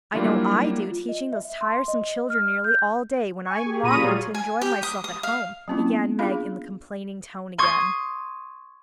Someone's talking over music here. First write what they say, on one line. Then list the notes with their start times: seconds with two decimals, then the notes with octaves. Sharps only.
"I know I do--teaching those tiresome children nearly all day, when I'm longing to enjoy myself at home," began Meg, in the complaining tone again.
0.14 F#3 G3 A#3 D4 E4 F4
0.91 F4
1.09 D#5
1.32 E5
1.61 C6
1.88 D#5
2.30 F6
2.64 G6
3.46 G#5 C#6
3.66 G4 G#4
3.83 A#2 A#5 B5 C#6 D#6 D#7
3.95 F#3 G3 F4 G#4 C#5
4.34 G#5
4.61 G4
4.83 D#6
5.04 D#6
5.23 F5
5.68 F#3 A#3 C4 C#4 E4 F4
5.86 B3
6.19 D4 F4 G#4 F5 B5
7.58 C6 C#6 D#6 G#6